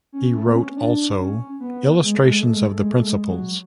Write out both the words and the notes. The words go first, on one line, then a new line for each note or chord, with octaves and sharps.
He wrote also "Illustrations of the Principles".
C#4
A3
B3
C#4
D4
C#4
B3
G#3
A3
G#3
A3
G#3
A3
G#3
A3
G#3
G#3
F#3